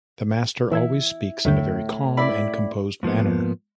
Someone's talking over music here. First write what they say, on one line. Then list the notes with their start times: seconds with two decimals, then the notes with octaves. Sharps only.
The master always speaks in a very calm and composed manner.
0.71 E3 E4 E6 G#6
1.45 D#2 A2 D3 G6
2.17 E4 D5 B5
3.03 G#2 F3 A#3 B3